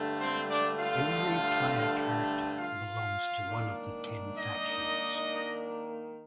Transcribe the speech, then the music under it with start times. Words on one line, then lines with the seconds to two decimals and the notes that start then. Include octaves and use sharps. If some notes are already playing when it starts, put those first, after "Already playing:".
Every player character belongs to one of the ten Factions.
Already playing: G2 D3 A3
0.18 C4 C5
0.48 D4 D5
0.78 F4 F5
2.57 F4 F5
3.47 D#3 A#3 D4
4.36 D#4 D#5